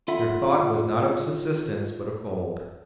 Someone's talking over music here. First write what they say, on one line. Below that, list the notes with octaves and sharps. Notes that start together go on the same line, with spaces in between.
Their thought was not of subsistence, but of gold.
F4 A4 E5 F#5 B5